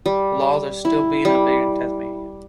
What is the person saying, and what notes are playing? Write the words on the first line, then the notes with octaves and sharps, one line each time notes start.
The laws are still being updated in Tasmania.
G3
E4
G3